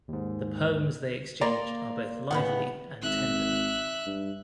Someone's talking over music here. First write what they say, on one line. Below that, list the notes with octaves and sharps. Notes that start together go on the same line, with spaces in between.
The poems they exchanged are both lively and tender.
D#2 G#2
A#3 D5 A#5 C6
A2 C#3 B3 F#5 B5
G#1 E5 F#6
G2